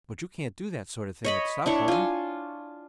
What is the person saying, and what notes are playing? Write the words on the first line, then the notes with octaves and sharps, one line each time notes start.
"But you can't do that sort of thing at Stockholm!"
C#5 D#5 B5
D4 E4 C#5
F4 G#5